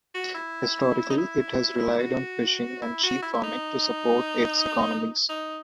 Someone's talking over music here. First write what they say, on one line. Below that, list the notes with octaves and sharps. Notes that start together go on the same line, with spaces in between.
Historically it has relied on fishing and sheep farming to support its economies.
F#4
E4
D#4
E4
F#4
E4
F#4
E4
E4
D#4
D#4